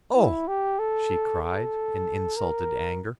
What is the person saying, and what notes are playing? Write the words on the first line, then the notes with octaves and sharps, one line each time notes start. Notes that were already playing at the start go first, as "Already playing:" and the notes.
"Oh!" she cried, in insulted anger.
E4
G4
A4
A4
A#4